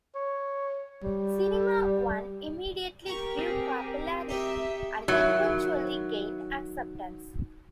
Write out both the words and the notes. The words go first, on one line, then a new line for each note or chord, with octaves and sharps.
Cinema One immediately grew popularity and eventually gained acceptance.
C#5
G3
G4 A#4 A#5 C#6
C4 G#4
D#4 G4 D#5 E5
D#3 F#3 E4